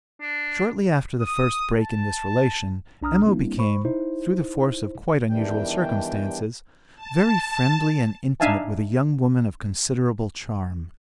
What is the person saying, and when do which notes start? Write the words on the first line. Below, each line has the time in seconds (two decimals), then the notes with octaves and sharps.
Shortly after the first break in this relation, M.O. became, through the force of quite unusual circumstances, very friendly and intimate with a young woman of considerable charm.
0.21 D4
1.20 D#6
1.75 A5
3.02 B1 D4 A#5 D#6 F6
3.26 G3 A#3 C4 D4 E4
3.58 C5 B5 C#6
3.85 D#4 E4 C5
5.30 E2 D#3 E3 G3 D4 G5
6.95 A5
8.40 D4 D#4 E5 F5 G#5 A5